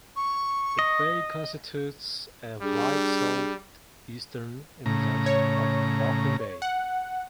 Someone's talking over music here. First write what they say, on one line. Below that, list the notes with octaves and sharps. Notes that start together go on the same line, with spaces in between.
The bay constitutes a wide southeastern inlet of Baffin Bay.
C#6
D#5
G3 D4 G#4
A2 C#3 A#5
C#5
F#5